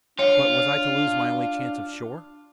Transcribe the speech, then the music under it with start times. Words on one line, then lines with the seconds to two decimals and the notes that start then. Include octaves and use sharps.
But was I to lose my only chance of shore?
0.19 D4 F4 C#5